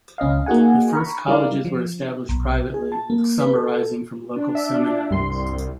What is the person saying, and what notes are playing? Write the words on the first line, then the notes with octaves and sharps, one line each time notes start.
The first colleges were established privately, with some arising from local seminaries.
C#2 C#4 D#5 F5
A#3 D#4 F#4 G#4 F#5 G#5
A#5 B5 C#6
G3 D#4 E4 A#4 D5 F5
F3
B1
G#4
A5
A#3
B4
A4
D4
E5
C2 G2 G3 C6